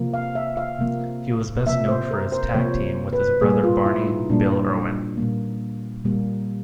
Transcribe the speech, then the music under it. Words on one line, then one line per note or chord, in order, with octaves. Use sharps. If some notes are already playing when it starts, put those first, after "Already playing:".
He was best known for his tag team with his brother Barney "Bill" Irwin.
Already playing: C3 F3 A#3
F5
E5
F5
C3 F3 A#3
C3 F3 A#3 E5
C5
A#4
C5
C3 F3 A#3 C#5
B4
A#2 G3 A#3 G#4
F4
E4
D#4
A#2 G3 A#3 D4
A#2 G3 A#3
A#2 G3 A#3